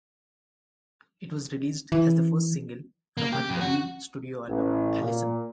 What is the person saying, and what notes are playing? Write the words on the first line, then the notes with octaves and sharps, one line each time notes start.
It was released as the first single from her debut studio album "Allison".
E3
A#3
G4
F2
F#4
A1
A#2